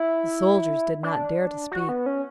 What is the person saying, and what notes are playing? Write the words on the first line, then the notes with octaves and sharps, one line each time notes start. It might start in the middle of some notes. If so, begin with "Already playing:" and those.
The soldiers did not dare to speak.
Already playing: E4
D4
F#4
B3
C#4